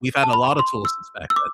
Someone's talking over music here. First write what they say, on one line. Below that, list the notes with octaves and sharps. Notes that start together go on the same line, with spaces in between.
we've had a lot of tools since back then."
A5
B5
C6
E6
E6
D6